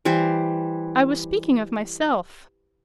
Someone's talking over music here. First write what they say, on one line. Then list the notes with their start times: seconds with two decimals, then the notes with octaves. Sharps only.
"I was speaking of myself."
0.05 E3 G3 C5